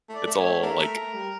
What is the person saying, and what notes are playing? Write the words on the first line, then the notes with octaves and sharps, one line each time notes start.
It's all, like,
A3
D5
A3
C#5
A3
C#5
A3 D4 A#4
A3
A3
G3